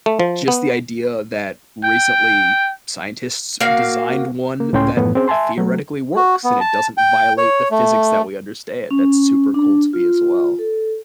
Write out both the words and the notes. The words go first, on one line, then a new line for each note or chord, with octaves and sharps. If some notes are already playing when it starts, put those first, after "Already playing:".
just the idea that recently scientists designed one that theoretically works, and it doesn't violate the physics that we understand, that's super cool to me, as well.
A3
F3
B3
G5
A#3 F#4 F5
A#3
C#2 A2 C#4 G5 C6
F#2 A2 E3 F3 B3
C4 C#4 G#4 C5
E5 G#5 A5 C6
F#3 A3
F#4
B3
A5
G5
C#5
A3
C#4
D4
F4
A4